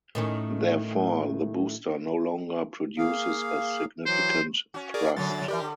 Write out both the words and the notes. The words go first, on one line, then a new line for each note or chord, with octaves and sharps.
Therefore, the booster no longer produces a significant thrust.
A2 D#3 C#4
A#3 G#4 F5
E3 F#3 C5
C#4 F#4
G#4 A#4 D5
F#2 D3 F#3 A6
E3 G4 A#4 D5
D3